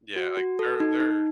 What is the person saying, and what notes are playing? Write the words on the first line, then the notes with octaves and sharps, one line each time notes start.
yeah, like, they're they're
F#4
F#4
A4
D#4
D#4